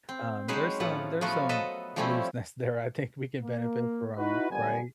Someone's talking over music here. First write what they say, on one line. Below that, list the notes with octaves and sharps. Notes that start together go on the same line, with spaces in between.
um, there's some there's some looseness there I think we can benefit from, right?
C4
F#3 G#3 C#4 D#4 B4 C5
A2 F3 F4 B4 F#5
F3 F#3 A3 B3 F4 F#4
A4 B4 D#5 E5 A5
F3 G3 A3 C4 C#4 E4
A#3
D#4 E4 F#4 B4
F#1 F2 D3 G3 B3 G#5